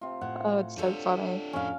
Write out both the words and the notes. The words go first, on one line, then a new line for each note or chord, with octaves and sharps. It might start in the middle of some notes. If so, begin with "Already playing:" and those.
Oh, it's so funny.
C3 F4
A2 F#5
D4 G4 A4 C#5
F2 A2 C#4 F5